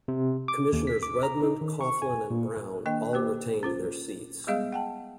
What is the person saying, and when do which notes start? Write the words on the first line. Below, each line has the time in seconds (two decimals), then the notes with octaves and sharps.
Commissioners Redmond, Coughlin, and Brown all retained their seats.
0.08 C3
0.48 D6
0.73 D#2
0.87 B6
1.03 D6
1.23 A#5
1.43 D#4
1.61 D#3
1.81 C#6
2.02 G#5
2.30 A#2
2.86 D#3 A#3 D4 D#5 G5
3.13 A#3 G4 C5 D6
3.63 C#4 F4 C5
4.47 G3 G#3 B3 G#4 D#5 F5
4.72 F#5 G5 A5